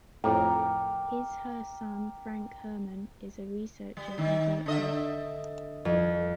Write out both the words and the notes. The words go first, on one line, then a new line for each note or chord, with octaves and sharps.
His/her son, Franck Herman, is a researcher in Berkeley...
F2 A2 A#4 G5 D6
G3
D#3
D3 D#5 E5
F2